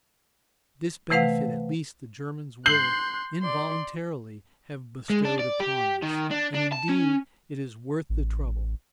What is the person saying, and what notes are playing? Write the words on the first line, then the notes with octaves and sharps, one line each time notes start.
This benefit at least the Germans will, involuntarily, have bestowed upon us, and indeed it is worth the trouble.
C3 E3 A3 B4 F5 F#5
C6 F#6 G6 C7 F#7
D5 C6
G#3
D4
D5
G4
D#3
D4
D4
A5
C#4
A1